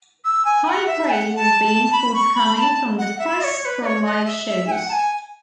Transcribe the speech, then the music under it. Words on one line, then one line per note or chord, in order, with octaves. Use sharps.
High praise has been forthcoming from the press for live shows.
E6
G#5
G#5
F#5
E5
G#5
F#5
A5
A5
B5
C#6
B5
B5
A5
F#5
E5
D#5
C#5
C#5
B4
D#5
C#5
D#5
E5
E5
G#5
F#5
A5
G#5